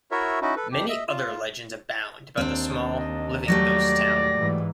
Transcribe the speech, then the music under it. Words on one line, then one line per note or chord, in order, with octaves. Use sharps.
Many other legends abound about the small "Living Ghost Town".
E4 F#4 A#4 C#5 E5
C#4 D#4 E4 F#4
A4 B4
F2 G4
D#5 E5
F4
D#2 C4 D4
D#5
F#3 G3 A3 D5 A#6
G#2 E3